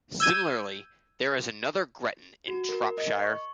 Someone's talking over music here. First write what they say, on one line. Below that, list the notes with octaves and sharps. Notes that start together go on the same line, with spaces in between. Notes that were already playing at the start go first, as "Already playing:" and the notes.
Similarly there is another Gretton in Shropshire.
E6 G6 G#6 D#7
F#4
A#4
D#5
C#6